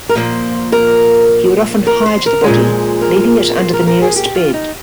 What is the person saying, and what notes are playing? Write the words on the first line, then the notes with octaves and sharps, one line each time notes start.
He would often hide the body, leaving it under the nearest bed.
A#4
A#2 F3 A#3 C5
A#4
A#4
C5
A#4
A#2 F3 G#3
A#4
C5
A#4
A#4
G#4
G4
F4
D#4